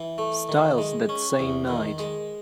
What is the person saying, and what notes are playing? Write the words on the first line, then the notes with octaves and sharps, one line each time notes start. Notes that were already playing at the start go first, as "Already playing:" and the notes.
Styles that same night.
Already playing: E3
A3
D#3
G#3
C#4
E2
D#3
G#3